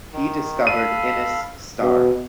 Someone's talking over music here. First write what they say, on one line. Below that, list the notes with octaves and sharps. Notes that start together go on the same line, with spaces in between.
He discovered Innes star.
D#3
A4 F5 B5 D#7
E2 B2